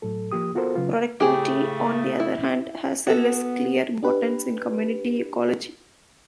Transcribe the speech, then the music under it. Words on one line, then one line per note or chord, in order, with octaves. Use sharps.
Productivity, on the other hand, has a less clear importance in community ecology.
A2 F#3 A4
F3 A#3 G4 D#6
B3 F4 F#4 A4 A#4 C5
C#3 F#3 F4 B4
A2 C#3 A3 G4 G#4
E4
B3 F#4 A4
D4 G4 B4